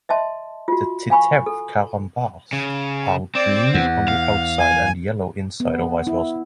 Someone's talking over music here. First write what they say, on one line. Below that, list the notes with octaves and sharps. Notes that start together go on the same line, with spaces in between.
The Titeuf Carambars are blue on the outside and yellow inside or vice versa.
D#5 E5 A5 C6
F4 F#4
F5 G#5 B5 C#6
A4
C#3
C4 D5
E2 F#5
F5
G#5
B3
E4